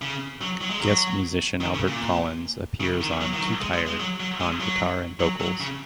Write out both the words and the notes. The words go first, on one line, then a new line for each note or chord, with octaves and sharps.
Guest musician Albert Collins appears on "Too Tired" on guitar and vocals.
C#3
F#3
F#3
G#3
F#3
D#3
C#3
A#2
C#3
D#3
F#3
D#3
F#3
G#3
G#3
G#3
F#3
F#3
G#3
F#3
F#3
F#3
C#3